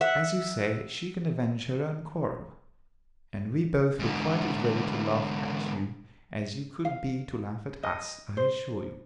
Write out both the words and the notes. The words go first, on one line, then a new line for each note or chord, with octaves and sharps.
"As you say, she can avenge her own quarrel, and we both were quite as ready to laugh at you, as you could be to laugh at us, I assure you."
E5 F#5
G#2 D3
F5
D#5
C5